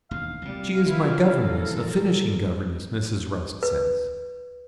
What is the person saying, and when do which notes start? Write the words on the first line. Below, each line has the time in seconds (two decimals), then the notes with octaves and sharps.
She is my governess--a finishing governess, Mrs. Rusk says.'
0.11 E1 D#2 F5
0.42 C2 A#2 G3
0.86 C#3 E3 F3 G3 E4 F4 B4
1.36 A4 A#4
3.63 B4